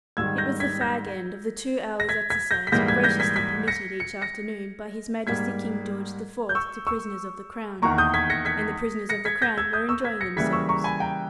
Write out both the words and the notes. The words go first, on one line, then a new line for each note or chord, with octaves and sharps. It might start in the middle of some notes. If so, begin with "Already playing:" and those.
It was the fag end of the two hours' exercise graciously permitted each afternoon by His Majesty King George the Fourth to prisoners of the Crown, and the prisoners of the Crown were enjoying themselves.
G#2 D#3 G3 E6 G#6
G6 A#6
G#6 B6
G6 A#6
A#6
G#6 B6
G#6 B6
G6 A#6
B6
G#2 E3 G3 A#3 G6 A#6
G#6 B6
G6 A#6
G#6 B6
G#6 B6
A#6 C#7
C#7
A#6 C#7
G#2 G3 A#3 G#6 B6
G6
C#6 E6
C#6 E6
E2 D#3 A#3 A#5 C#6
D#6 G6
G#6 B6
A#6 C#7
G#6 B6
A#6 C#7
G#6 B6
G6 A#6
E6 G#6
D#6 G6
C#6 E6
G#6 B6
A#6 C#7
C#3 E3 G3 A#3 G#6 B6
C#6 E6
A#5 C#6
G#5 B5
G5 A#5